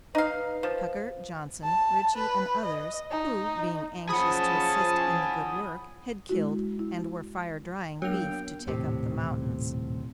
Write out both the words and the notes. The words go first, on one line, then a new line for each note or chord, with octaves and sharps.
Tucker, Johnson, Richey and others, who, being anxious to assist in the good work, had killed, and were fire-drying, beef to take up the mountains.
D#4 B4 F5
F3
A5
B4
D#5
D#4
F3 C#4 G#4 F#5 A5 B5 D#6
G#3 E4 F#4
E4
F#3 A#3 B3 D4 A#4 G5 F7
D#1 A2 C3